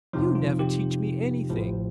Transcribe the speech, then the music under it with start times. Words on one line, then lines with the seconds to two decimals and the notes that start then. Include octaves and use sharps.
"You never teach me anything."
0.13 F2 C3 F3 D#4
0.35 F4
0.59 G4
1.50 A1 A2 F3